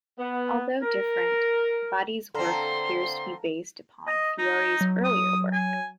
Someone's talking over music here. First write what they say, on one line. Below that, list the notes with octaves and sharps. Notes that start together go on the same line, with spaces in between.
Although different, Vadi's work appears to be based upon Fiore's earlier work.
B3
A#4
D3 C4 A4 F5 A#5 C6
D#5
D#4
F#3
D#6
G#5